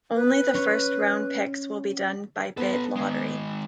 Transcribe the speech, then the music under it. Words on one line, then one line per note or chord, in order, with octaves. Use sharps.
Only the first round picks will be done by bid lottery.
B4
C#4 C#5
B3 A4 B4
D#3 G#3